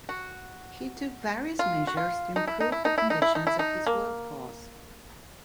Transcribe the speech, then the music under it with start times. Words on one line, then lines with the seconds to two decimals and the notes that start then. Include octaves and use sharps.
He took various measures to improve the conditions of his work force.
0.09 F#4
1.59 F4
1.87 F#4
1.97 F4
2.36 D#4
2.47 E4
2.60 D#4
2.72 E4
2.85 D#4
2.98 E4
3.10 D#4
3.22 E4
3.35 D#4
3.47 E4
3.59 D#4
3.87 A#3